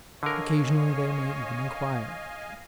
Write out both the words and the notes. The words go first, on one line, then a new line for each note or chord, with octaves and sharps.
Occasionally they may even inquire after you.
D3 A#4 C#5 D#5 F5 G#5